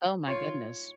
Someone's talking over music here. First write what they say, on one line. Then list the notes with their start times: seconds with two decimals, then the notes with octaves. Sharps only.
Oh my goodness.
0.28 F4 C#5